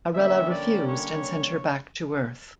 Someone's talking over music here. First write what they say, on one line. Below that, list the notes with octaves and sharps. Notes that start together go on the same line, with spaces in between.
Arella refused and sent her back to Earth.
D3 G3 A#3 C#4 E5
D5
C#5